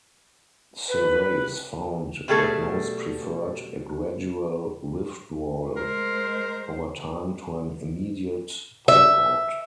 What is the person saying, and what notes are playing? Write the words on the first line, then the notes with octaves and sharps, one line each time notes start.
Surveys found that most preferred a gradual withdrawal over time to an immediate pullout.
B4
B2 G3 A3 G#4 A4
G#3 A#4 C5
E5